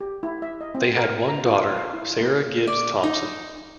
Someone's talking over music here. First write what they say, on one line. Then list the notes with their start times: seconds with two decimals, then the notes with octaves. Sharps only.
They had one daughter, Sarah Gibbs Thompson.
0.01 G4
0.23 E4
0.42 E5
0.61 D#5
0.75 C4
0.97 A#4
1.28 A#5
1.45 F4
1.77 F5
1.93 E4
2.21 A#3
2.67 D5
3.03 D#4